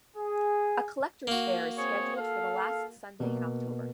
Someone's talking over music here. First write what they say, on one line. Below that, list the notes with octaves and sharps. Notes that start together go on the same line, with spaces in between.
A collectors fair is scheduled for the last Sunday in October.
G#4
A#3 F#4
C4 G#4 C#5
A4 F5
B2 A#3